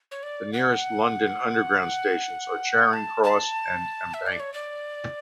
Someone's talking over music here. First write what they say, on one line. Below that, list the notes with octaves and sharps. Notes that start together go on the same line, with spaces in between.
The nearest London Underground stations are Charing Cross and Embankment.
C#5
D5
F#5
A5
A5
E5
D5
C#5
D5